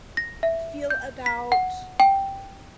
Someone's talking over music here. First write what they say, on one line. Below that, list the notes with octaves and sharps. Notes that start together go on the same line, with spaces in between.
feel about
A#6
E5
G6
B6
F#5
G5